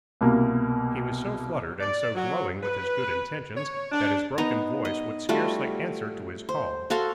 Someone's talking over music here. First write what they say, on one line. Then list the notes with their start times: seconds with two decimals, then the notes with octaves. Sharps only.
He was so fluttered and so glowing with his good intentions, that his broken voice would scarcely answer to his call.
0.21 C2 B2 A#3
1.81 D5
2.15 F#3
2.63 B4
3.57 C#5
3.92 D4
4.38 B3 D#4 A#5
4.85 D#5
5.29 G3 A3 F4 F#4
6.49 C5
6.90 F#4 A4 F5 C6